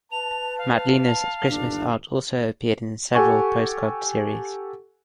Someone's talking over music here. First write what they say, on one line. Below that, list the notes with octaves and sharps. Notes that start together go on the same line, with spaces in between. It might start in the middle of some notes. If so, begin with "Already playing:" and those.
Madlener's Christmas art also appeared in several postcard series.
B4 A5 F7
F5
G1 D#2 D4
G4 A4 F#5 G#5 C#6